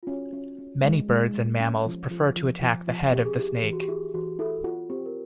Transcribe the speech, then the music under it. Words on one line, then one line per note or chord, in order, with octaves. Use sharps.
Many birds and mammals prefer to attack the head of the snake.
F4
C#4 F#4
C#4
C#4
G#3
G#3
G#3
C#4
F3
F3
F3
F3
F3
C4 G4
G#4
E4 G4
E3
F#4
G4
E4 G#4
E3 F#4
E4 A4
F4 F#4
C4 G4
A#4